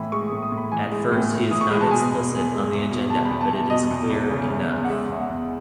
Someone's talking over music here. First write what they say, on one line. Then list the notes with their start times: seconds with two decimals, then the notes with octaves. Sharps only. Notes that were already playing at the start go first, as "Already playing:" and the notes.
At first, he is not explicit on the agenda but it is clear enough.
Already playing: A2 E3 B5
0.12 G#3 C#6
0.28 D#6
0.33 A2
0.42 D#6
0.52 A2
0.58 B5
0.72 E3 G#5
0.92 G#3
1.12 A2
1.32 A2
1.51 E3 D#6
1.61 C#6
1.70 G#3 B5
1.81 A5
1.91 B2 G#5
2.12 E2
2.32 E2
2.52 G#3
2.71 E2
2.91 B2
3.10 E2 A5
3.25 B5
3.31 E2
3.41 A5
3.51 E2
3.56 A5
3.70 B2 D#5
3.91 E2
4.10 E2
4.30 C#3
4.50 E2
4.69 E2
4.84 F#5
4.90 G#3 E5
5.09 E2 E5
5.20 F#5
5.30 E2